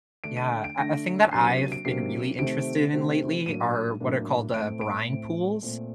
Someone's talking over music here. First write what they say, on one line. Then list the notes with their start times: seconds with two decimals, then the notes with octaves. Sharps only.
Yeah, a a thing that I've been really interested in lately are what are called, uh, brine pools.
0.24 D3 A3 D4 D7
0.37 D#7
0.64 D7
0.77 D3 A3 D4 A#6
1.31 C3 F#3 A#3 D4 C7
1.45 D#7
1.58 D#7
1.72 D7
1.85 C3 F#3 A#3 D4 C7
2.39 C3 D#3 A3 C4 D7
2.93 C3 D#3 A3 C4
3.46 A2 F#3 A#3 D4 D#7
4.00 A2 F#3 A#3 D4
4.54 A2 A3 C4 D7
4.81 D7
5.08 A2 A3 C4
5.62 A#2 A3 C4